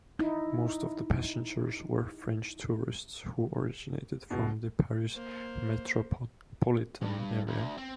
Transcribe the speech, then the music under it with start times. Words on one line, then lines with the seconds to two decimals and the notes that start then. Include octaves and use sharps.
Most of the passengers were French tourists who originated from the Paris metropolitan area.
0.19 D#4 E4
4.30 F#1 C#2 B2
5.15 A#3 C5
7.01 G2
7.47 D2
7.78 C4